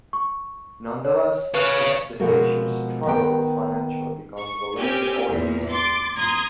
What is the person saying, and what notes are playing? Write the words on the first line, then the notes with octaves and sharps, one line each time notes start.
Nonetheless, the station struggled financially because of a limited audience.
C#6
C#5
B4 C#5 F5 F#6
B2 F3 G#3 F#4 A4 A#4
D#3 B3 G5
C#6
C4 C#4 G4 G#5
E2 A#2
C6 D6 A6
A#5 C6 D#6 G#6